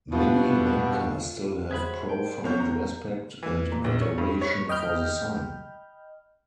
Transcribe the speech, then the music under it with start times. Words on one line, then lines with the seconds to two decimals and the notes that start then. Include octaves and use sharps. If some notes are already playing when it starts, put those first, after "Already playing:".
Many Lenca still have profound respect and adoration for the sun.
0.12 G2 B2 E4 F4
1.71 F#3 G#4 C5 E5 B5 D#6 F#6 G#6
2.09 A#4 D5 G5 A5
2.44 C2 B3 C#5 F6 G6
2.60 A#5
3.43 E3
3.72 A#2
3.84 A#1
4.01 C#5
4.18 G2
4.41 C#5
4.69 D#5 G5 B5 F6 G6